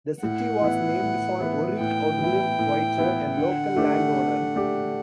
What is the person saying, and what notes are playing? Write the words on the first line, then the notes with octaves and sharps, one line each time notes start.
The city was named for Oric Ogilvie Whited, a local landowner.
A2 F#5
E3 B3 E4
A2
E3 B3 E4
A2 G5
E3 B3 E4
A2
E3 B3 E4
D3 F#5
A3 D4 G4
D3
A3 D4 G4